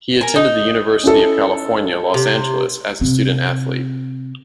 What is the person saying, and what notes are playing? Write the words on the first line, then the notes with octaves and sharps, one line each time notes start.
He attended the University of California, Los Angeles as a student athlete.
A#4 G#5
D#4
C#4 E4 A4
C3
C3 C4